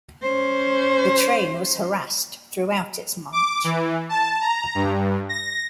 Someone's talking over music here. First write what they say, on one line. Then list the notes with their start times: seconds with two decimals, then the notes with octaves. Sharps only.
The train was harassed throughout its march.
0.23 C#4 C5
3.32 D6
3.64 E3
4.09 A5
4.41 A#5
4.75 G2
5.29 A#6